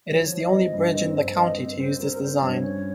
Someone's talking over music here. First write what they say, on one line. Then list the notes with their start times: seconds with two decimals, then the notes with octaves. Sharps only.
It is the only bridge in the county to use this design.
0.10 F3 C#5
0.32 F3
0.42 D#5
0.53 C4
0.73 G2
0.95 C4
1.16 G2
1.37 C4 D#5
1.58 C4
1.79 C4 C5
2.00 C4 A#4
2.11 A#4
2.21 C4 C5
2.42 G2 C#5
2.63 C#4 C#5